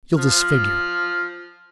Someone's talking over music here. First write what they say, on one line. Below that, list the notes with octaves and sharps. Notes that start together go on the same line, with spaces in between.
'You'll disfigure.
F3 F6